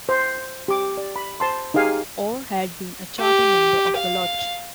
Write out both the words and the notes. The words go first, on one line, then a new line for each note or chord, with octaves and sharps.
Orr had been a charter member of the Lodge.
C5
G4 D6
D5
B5
C5 A5 C6
D#4 G4 G#4 F5 G#5
G4
F5